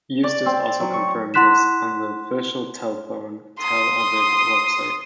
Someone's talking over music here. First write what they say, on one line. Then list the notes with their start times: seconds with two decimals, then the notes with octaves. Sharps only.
Eustis also confirmed this on the official Telefon Tel Aviv website.
0.24 D5
0.46 C4
0.80 F#3
0.93 C#6
1.34 E4 F#5 C6 F#6 B6 E7
3.59 C6 D#6